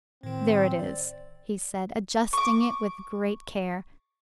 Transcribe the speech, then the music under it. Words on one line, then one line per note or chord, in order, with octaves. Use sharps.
"There it is!" he said, adjusting it with great care.
A2 D#3 C4
D5
C#6 D6